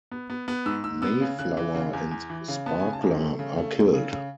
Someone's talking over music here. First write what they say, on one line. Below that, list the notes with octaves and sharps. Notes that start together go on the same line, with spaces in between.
Mayflower and Sparkler are killed.
B3
B3
B3 F#6
G#2 E6
G#2 E6
B3 E6
C#3
C#3 F#6
E3
C#3
E2
E2
E3
C#3
B3 A5
C#3 G#5
A5
E2
A3
C#3
A3
A3
C#3
C#3